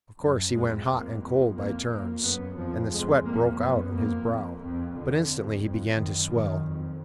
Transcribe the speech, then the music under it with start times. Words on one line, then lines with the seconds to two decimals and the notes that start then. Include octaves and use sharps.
Of course, he went hot and cold by turns, and the sweat broke out on his brow, but instantly he began to swell.
0.21 F#2
0.55 F2 G#3
0.88 F2 A#3
1.22 F2 B3
1.56 F2 A#3
1.90 F2 A#3
2.24 F#2 B3
2.57 F2 F3
2.91 F2 G#3
3.25 F2 A#3
3.59 F#2 B3
3.92 F2 A#3
4.26 F2
4.60 F2
4.94 F2 D3
5.28 F2
5.62 F2
5.96 F#2 D#3
6.29 F#2 D#3
6.64 F2